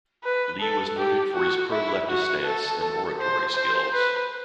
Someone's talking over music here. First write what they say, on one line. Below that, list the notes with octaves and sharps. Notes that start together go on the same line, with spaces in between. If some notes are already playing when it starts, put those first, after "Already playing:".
Lee was noted for his pro-leftist stance and oratory skills.
B4
A4
G4
F#4
E4
F#4
A4
A4
C5
C5
B4